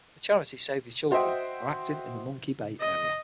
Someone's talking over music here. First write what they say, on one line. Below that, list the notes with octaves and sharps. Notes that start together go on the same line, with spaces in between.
The charity Save the Children are active in the Monkey Bay area.
F#4 C5 D#5 E5 G5
D#5